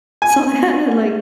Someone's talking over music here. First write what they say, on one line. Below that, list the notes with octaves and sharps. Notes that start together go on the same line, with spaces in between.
so I had to, like
G#5